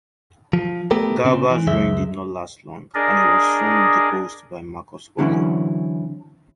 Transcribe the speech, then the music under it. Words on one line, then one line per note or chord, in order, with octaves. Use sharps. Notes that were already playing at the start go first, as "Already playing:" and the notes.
Galba's reign did not last long and he was soon deposed by Marcus Otho.
F3
A3 B3 G4 A4 A#4
A#2 C#3 C4
E3
C#2 F#2 G#3 E5
D4 G#4 A#4 D5 D#5
D3 E3 F#3 C4 C#4 E4